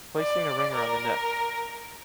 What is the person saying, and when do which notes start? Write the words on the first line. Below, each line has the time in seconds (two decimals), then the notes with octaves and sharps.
Placing a ring around the neck.
0.18 D5
0.75 A#4